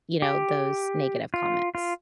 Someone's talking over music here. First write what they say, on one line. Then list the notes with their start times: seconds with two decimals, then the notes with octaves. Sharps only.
you know, those negative comments.
0.22 G4
1.34 F4
1.75 F4